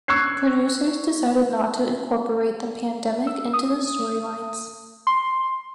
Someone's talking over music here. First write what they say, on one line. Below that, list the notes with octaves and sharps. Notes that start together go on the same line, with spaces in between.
Producers decided not to incorporate the pandemic into the storylines.
C#6 E6 F#6 G#6 C7
E6
D#6
C6